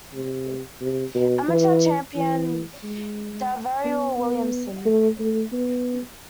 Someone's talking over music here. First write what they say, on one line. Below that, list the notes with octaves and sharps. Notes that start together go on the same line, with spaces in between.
Amateur Champion DaVarryl Williamson.
C3
C3
B2
E3
E3
G#3
B3
B3
A3
A3
B3